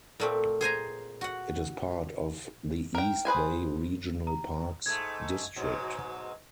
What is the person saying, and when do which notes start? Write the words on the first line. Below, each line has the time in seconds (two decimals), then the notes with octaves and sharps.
It is part of the East Bay Regional Parks District.
0.20 A#2 A3 C4
0.61 G#4 C5 G#5 A#5
1.21 F#4 F#5
2.95 A#4 G5
3.25 G#4 B4 C5 G#5
4.27 A#5
4.86 G#2 A3 G#6
5.56 G#2 B2 F#3